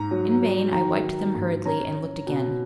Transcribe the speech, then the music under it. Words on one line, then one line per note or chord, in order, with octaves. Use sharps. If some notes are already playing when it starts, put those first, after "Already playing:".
In vain I wiped them hurriedly and looked again.
Already playing: G#2 A#5
F#3
F#3
D#3 A#5
D#3
G#2
C#4 A#5
C#4
B2